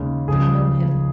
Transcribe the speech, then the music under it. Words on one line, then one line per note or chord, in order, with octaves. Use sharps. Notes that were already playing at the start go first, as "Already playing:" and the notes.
I know him.
Already playing: D#2 C#3 G#3
C#2 C#3 F3 G#4